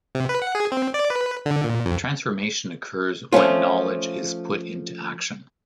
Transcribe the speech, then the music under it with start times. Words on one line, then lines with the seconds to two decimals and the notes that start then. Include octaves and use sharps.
Transformation occurs when knowledge is put into action.
0.15 C3
0.29 B4
0.42 F#5
0.55 G#4
0.72 C4
0.94 D5
1.10 B4
1.46 D3
1.64 A#2
1.86 F2
3.32 F3 A3 C#4 F4